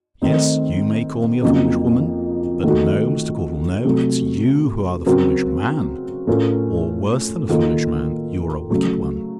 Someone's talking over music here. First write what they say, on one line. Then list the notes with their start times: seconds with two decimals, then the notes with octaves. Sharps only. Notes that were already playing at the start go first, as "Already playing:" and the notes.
Yes, you may call me a foolish woman; but no, Mr. Caudle, no; it's you who are the foolish man; or worse than a foolish man; you're a wicked one.
0.22 D#3 A3 C4 D#4
1.42 F2 C#3 F#3 A#3 D#4
2.63 D#3 A3 D#4 F#4
3.85 C3 F#3 A3
5.06 C#3 F#3 C4 F#4 A#4
6.27 A2 A3 C#4 F4 A#4
7.49 D#3 A#3 F4 A4
8.70 C#3 F#3 A3